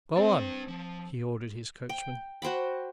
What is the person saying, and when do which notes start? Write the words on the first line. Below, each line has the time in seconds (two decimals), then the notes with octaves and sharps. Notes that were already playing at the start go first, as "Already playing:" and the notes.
"Go on!" he ordered his coachman.
0.17 C4 D4 G5
0.68 F3
1.89 G5
2.42 F#4 C5 G5 B5